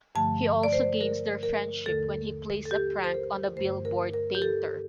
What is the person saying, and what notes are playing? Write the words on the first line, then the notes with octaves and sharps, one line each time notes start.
He also gains their friendship when he plays a prank on a billboard painter.
G2 D3 F3 A3 A5
D5
C5
A#4
A#4
D#2 D3 A3 A4
A4
G4
C5
A#4
G2 D3 A3 C5
A#4
A#4
G4
A4